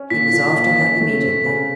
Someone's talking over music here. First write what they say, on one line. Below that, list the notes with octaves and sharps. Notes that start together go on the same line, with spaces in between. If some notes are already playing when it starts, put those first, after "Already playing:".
He was after her immediately.
Already playing: C#4
A#2 B6
F3
A#3
C#4
A3
C4
C#3